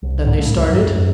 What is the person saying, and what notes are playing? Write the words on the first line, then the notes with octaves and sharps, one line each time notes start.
"Then they started?"
C2
C2 G#2
A2 C#3 G#3 A3
C#2 F#2
F2 G#2 F#3
F#2